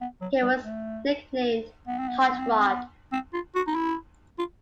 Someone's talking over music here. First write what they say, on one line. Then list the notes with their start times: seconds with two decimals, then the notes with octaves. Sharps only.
He was nicknamed Hot Rod.
0.01 B3
0.22 F#3
0.42 G3
0.63 A3
1.88 B3
1.99 C4
2.08 B3
2.18 C4
2.29 B3
2.39 C4
2.50 B3
2.59 C4
2.69 B3
3.12 C4
3.33 F4
3.55 F#4
3.67 D#4
3.75 E4
4.39 F4